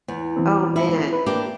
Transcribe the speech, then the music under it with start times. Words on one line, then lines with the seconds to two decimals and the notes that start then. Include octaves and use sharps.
oh man.
0.08 E2
0.36 E3 B3 C4
0.76 E4
1.13 B4
1.26 A#3 D4 G4